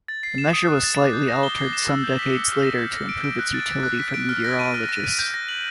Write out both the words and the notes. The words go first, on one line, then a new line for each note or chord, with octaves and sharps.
The measure was slightly altered some decades later to improve its utility for meteorologists.
A6
C7
E7
D#6
F#6
A6
D6
G6
A#6
G7
C7
E7
E6
G6
B6
C#7
F6
A#6
G6
A#6
D7
D7
F#6
A6
D7
F#6
B6
D7
F6
A#6
D#7
F6
A#6
D#7
G6
A#6
F#7